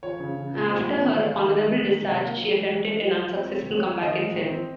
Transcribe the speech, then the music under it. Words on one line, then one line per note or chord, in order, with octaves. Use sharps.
After her honorable discharge she attempted an unsuccessful comeback in films.
F3 C#5
C#3
C#3
A#2
C4
A#2
D#3 C#5
G#3
F5
D#3
D#3 D#5
G#3
D#3
C3
A#3
F#3
G#3
G#3
G#3
F3
F3
C4
C4 C#5
F#3
C#5
F#3
D#3 D#5
G#3
D#3
C4